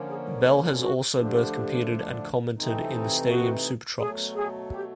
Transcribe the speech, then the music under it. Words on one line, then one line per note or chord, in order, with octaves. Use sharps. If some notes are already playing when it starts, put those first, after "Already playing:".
Bell has also both competed and commented in the Stadium Super Trucks.
Already playing: D3 F3 A#3 C#4
G#4
F#4
D3 F3 A3 D4 G4
C3 E3 A3 C4 D#4
F#4
B2 F#3 A3 G#4
G#4
G4